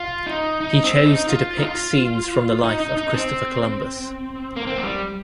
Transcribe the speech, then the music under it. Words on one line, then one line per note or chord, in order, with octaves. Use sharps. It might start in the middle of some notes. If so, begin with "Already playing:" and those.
He chose to depict scenes from the life of Christopher Columbus.
Already playing: F4
D#4
D#4
C4
D#4
F4
D#4
F4
D#4
D#4
D#4
D#4
C4
A#3
C4
A#3
G3